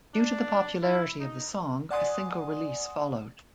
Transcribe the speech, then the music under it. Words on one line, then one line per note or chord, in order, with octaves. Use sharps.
Due to the popularity of the song a single release followed.
D4
E4
D#4
D5 F#5 G#5 C6 D#6